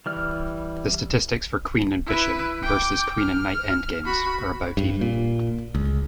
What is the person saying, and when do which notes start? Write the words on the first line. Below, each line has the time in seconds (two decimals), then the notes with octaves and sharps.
The statistics for queen and bishop versus queen and knight endgames are about even.
0.06 E3 G3 F6
2.06 E4 B4
2.62 G5 D6
3.18 F6
4.05 F#4 B5
4.77 G2
5.01 A#2
5.75 C#2